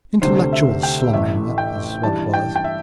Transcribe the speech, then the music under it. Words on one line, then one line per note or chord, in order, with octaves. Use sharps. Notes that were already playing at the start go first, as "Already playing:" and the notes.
Intellectual slumming, that was what it was.
D2 C3 A3 D4 C5
E5
G5
A1 A2 E3 A3 E5
G5
G2 E3 G3 A5
G5
G5
E5